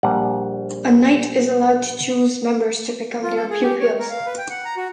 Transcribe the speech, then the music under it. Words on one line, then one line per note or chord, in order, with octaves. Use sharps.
A Knight is allowed to choose members to become their pupils.
A#1 G3 F#5
F4
A4
G#4
G4
C#5
A#4
F5
B4
G5
F#5
A#5
F#4